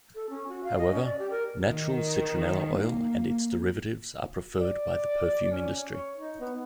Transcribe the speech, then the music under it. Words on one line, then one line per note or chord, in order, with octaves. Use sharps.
However, natural citronella oil and its derivatives are preferred by the perfume industry.
A4
C#4
F#4
F5
D#5
C#4
D5
G4
A#4
D#3
A#3
D5
C#4
C#5
D#4
B3